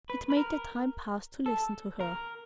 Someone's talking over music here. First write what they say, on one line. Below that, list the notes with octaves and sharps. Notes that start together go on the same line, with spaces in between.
It made the time pass to listen to her.
B4
B4
A#4
A4
A#4